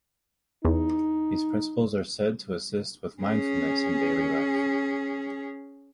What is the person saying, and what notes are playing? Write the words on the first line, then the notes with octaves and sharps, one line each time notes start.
These principles are said to assist with mindfulness in daily life.
E2 D#4
C#4 G#4